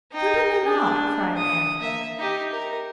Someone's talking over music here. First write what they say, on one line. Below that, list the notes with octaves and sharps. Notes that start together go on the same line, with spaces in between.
"Certainly not," cried Annie.
D#4 G5
D4
D#6
A#3 E5
D#4 G4
A#4